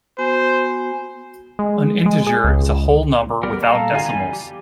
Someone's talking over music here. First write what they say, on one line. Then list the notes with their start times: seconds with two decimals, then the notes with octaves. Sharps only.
An integer is a whole number without decimals.
0.18 B3 F#4 C5 G#5
1.59 G#3
2.06 G#3
2.27 G#4
2.44 C#2
3.43 G3 B3 G4 A#4 D5
3.61 A#2 G3 A4 A#4 F5 A#5
3.92 D3 D#4 F4 F#4 F5 G#5
4.04 E2 G3 G#5
4.33 G4